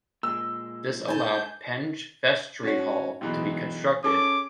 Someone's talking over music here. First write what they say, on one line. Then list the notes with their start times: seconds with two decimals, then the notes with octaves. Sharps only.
This allowed Penge Vestry Hall to be constructed.
0.23 A#2 G#3 E6
1.08 G#5 A5 G6
2.63 C#4 F#4 C#5
3.21 B1 E2 B2
4.04 C#4 G#4 A4 D6